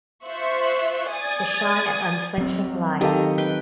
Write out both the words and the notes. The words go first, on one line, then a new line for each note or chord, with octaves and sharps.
To shine an unflinching light.
F4 C5 E5 C#6 F#6
D5 G#5 D#6 G#6 A6
F#3 C4
D#3 G4 A4 D#5 F5 A#5
B4 G5